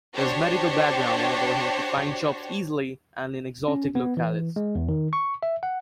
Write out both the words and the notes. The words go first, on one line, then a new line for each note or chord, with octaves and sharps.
His medical background enabled him to find jobs easily and in exotic locales.
D4 F#4 G4 C5 C#5 A5
C#4
B3
E3
G#3
E2
D#3
C#6
E5
F#5